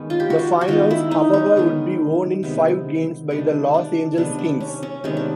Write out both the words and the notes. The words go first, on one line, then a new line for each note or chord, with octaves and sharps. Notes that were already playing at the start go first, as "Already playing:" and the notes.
The Finals, however, would be won in five games by the Los Angeles Kings.
Already playing: D#3 G#3 B3 C#4
F4
G4
F#4
F4
F#4
D#3 G#3 B3 F4
E4
D#4
C#4
D#3 G#3 B3
C3 D#3 G#3 B3
C3 D#3 G#3 B3 D4
D4
C3 D#3 G#3 B3 D4
D4
C#4
C#4
C3 D#3 G#3 B3 C#4
D4